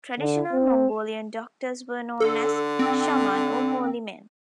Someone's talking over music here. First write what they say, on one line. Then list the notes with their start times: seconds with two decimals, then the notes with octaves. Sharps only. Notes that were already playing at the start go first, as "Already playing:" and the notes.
Traditional Mongolian doctors were known as shaman, or holy men.
0.19 D3
0.52 C4
2.20 D3 A4
2.79 C4